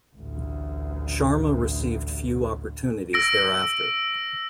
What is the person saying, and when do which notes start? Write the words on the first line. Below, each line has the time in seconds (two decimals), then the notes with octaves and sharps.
Sharma received few opportunities thereafter.
0.16 A1 D2
3.13 E6 A#6 D7